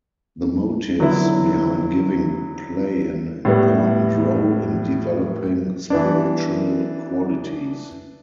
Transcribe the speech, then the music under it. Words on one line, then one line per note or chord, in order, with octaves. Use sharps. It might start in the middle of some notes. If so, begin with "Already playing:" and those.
The motives behind giving play an important role in developing spiritual qualities.
D3 F#3 B3 E4
A2 G3 B3
E3 B3 D4